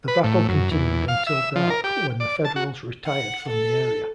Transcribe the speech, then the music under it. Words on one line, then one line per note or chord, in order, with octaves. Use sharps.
The battle continued until dark, when the Federals retired from the area.
B4
A2
F#2
E2
F5
E5
F3
A#4
G4
D5
A5
F#4
F#5
A4